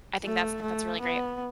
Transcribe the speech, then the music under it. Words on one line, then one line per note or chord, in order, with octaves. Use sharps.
I think that's that's really great.
A3
A3
B3